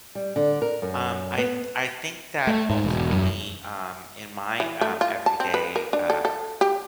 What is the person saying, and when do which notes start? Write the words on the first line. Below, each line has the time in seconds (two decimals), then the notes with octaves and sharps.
Um, I th I think that ultimately, um, in my, um, everyday, um,
0.15 G3
0.36 D3
0.62 A#4
0.82 F#2
1.38 B3
2.47 A3
2.70 G#2
2.84 E1
3.12 F#2
4.60 E3
4.81 A3
5.01 F4
5.26 A5
5.40 C4
5.54 B4
5.76 A#4
5.93 D4
6.10 A4
6.25 A4
6.61 G4